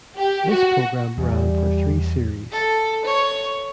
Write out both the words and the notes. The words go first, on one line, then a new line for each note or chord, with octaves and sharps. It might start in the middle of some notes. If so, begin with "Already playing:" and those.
This programme ran for three series.
G4
F#4
E2 G3
A4
C#5